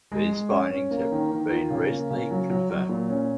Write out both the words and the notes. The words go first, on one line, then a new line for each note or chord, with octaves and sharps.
These findings have been recently confirmed.
G#3
G#3
C#4
C#4
A#3
D#3
D#3
F4
C#3
A#3
C#3
F#3
F#3
F#3
A#2
C#4